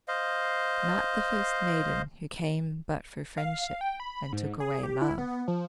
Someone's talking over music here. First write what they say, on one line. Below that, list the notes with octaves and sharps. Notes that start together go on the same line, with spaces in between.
"Not the first maiden Who came but for friendship, And took away love."
C5 D#5 F5
F5
G5
B5
G#2
G#4
G4
E4
B3
F3